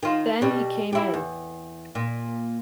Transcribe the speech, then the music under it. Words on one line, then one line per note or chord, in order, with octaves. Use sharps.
Then he came in.
D#3 F4
B2 G3
G3 E4
E2
A#2